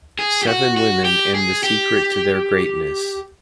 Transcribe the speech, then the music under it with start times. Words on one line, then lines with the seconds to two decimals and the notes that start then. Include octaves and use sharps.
Seven Women And The Secret To Their Greatness.
0.19 G#4
0.43 G4
0.47 F#4
0.77 F#4
1.05 G4
1.35 G#4
1.63 G4